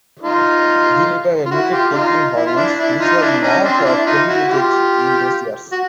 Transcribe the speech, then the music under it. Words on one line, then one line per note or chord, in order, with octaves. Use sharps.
He later admitted taking hormones, which was not prohibited in those years.
D#4 F4
F4
E4 F#4
F4 G4
D#4 F4
E4
F4
D4 E4
D4 E4
D#4 F4
D#4
D4 E4
C#4 D#4
C4 D4
F4
D4 E4
E4
D#4 F4
E4 F#4
F4 G4
F#4